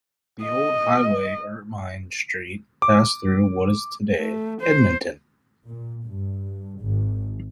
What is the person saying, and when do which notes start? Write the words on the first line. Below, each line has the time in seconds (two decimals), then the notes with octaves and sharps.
The old highway Ermine Street passed through what is today Edmonton.
0.44 D#5
2.82 D6
4.18 A3
4.61 C5
5.67 A#2
6.05 G2
6.82 G#1